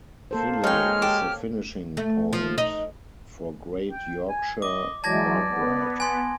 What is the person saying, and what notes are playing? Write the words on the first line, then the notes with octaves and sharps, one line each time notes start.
Filey is the finishing point for Great Yorkshire Bike Ride.
A#3 A4 C5
G#3 D#4 C#5 G5 F6
G4 A5 D6
A3
F3
D#4
G5
G#5
D#5 D6
E3 F#3 G#3 D5 A5 G#6 A#6
B3
G#5 C6